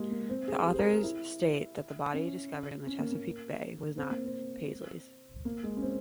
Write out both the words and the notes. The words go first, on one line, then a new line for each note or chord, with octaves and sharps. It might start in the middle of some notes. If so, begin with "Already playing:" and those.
The authors state that the body discovered in the Chesapeake Bay was not Paisley's.
Already playing: G#3 A#3 G4 G#4
A#3
C4
G#4
G4
C5
A#4
G#4
E4
C#4
C#4
A#3
A#3
C4
A#3
C4
A#3
G#3
C#4
C4